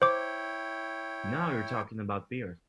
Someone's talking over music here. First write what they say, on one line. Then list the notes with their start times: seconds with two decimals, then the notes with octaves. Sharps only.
Now you are talking about beer!
0.02 E4 C5 C#5 G5 D6